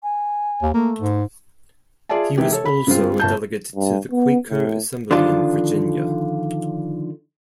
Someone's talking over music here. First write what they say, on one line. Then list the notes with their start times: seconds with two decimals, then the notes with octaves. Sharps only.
He was also a delegate to the Quaker Assembly in Virginia.
0.03 G#5
0.62 D#2
0.74 A3 A#3
1.01 G#2
2.09 F4 G#4 D5 E5 G#5 A5
2.37 C3 D#3 E3 G#3 G4 G#4
2.52 A4 C#5
2.65 B5
2.87 G2 D3 G#3 C4 F4
3.20 G1 A5 G6
3.75 G2
4.11 B3
4.49 A2
5.11 D3 D#3 F3 D4 F4